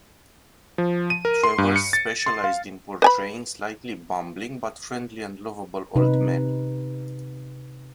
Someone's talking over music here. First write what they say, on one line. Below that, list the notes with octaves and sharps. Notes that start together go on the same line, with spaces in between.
Travers specialized in portraying slightly bumbling but friendly and lovable old men.
F3
D#7
A#4
C6
G2
C#7
A6
C6
F5
B4 G#5 B5
C3 D#4 B4